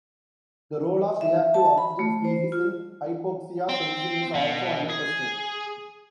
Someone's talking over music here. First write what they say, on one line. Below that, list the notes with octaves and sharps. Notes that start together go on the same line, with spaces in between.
The role of reactive oxygen species in hypoxia sensing is also under question.
E5
A5
B5
A3
C5
F4
C4
B2
G#4